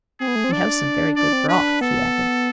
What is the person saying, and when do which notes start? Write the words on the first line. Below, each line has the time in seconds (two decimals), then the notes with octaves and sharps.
"We have some very good broth," he added.
0.20 C4 G#4
0.28 B3
0.36 A3
0.44 C4
0.52 D4 D5
1.16 D4 D5
1.33 C4
1.48 D4 B4
1.81 B3 A4